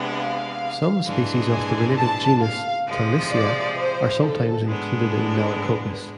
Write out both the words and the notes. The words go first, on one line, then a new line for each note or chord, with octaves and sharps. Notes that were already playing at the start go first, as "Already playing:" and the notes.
Some species of the related genus "Talisia" are sometimes included in "Melicoccus".
Already playing: C3 G#3 B3 D4
F5
G#2 E3 G#3 D4
G#5
A5
F5
C3 F3 G#3
D5
C5
A4
G#2 G#3 B3 D4
A4
B4